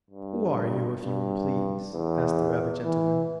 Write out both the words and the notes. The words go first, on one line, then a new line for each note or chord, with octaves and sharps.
"Who are you, if you please?" asked the rabbit gentleman.
G2
G2
E2
E3